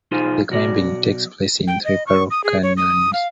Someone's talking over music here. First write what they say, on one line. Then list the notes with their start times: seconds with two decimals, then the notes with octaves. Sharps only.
The climbing takes place in three parallel canyons.
0.11 B1 D#4 F4 G#4 C5
0.50 B1 F#4 D5
1.67 G5
1.85 D#5
2.07 C#6
2.31 D#6
2.44 G#4
2.63 C#5
2.77 D#6
3.13 F5